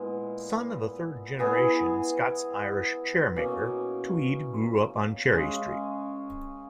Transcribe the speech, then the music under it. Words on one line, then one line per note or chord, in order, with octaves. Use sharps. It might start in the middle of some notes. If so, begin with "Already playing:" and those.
Son of a third-generation Scots-Irish chair-maker, Tweed grew up on Cherry Street.
Already playing: A#2 G#3 B3 E4
E3 B3 E4 G#4
B2 A#3 C#4
C#3 G#3 C#4 G#4